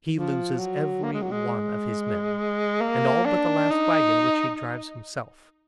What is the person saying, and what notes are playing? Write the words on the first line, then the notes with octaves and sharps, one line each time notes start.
He loses every one of his men, and all but the last wagon, which he drives himself.
F3
F#3
A#3
G#3
F#3
G#3
A#3
D4
D#4